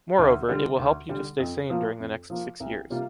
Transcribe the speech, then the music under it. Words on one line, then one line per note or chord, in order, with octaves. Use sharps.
Moreover, it will help you to stay sane during the next six years.
D2
D3 G3
D2
D3 G3
F2
F3 A#3
F2
F3 A#3
C2
C3 G3 A#3 F4